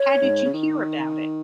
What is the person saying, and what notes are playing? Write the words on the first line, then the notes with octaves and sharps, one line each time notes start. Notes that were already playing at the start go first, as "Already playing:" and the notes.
How did you hear about it?
Already playing: C#5
G#2
C#3
D#3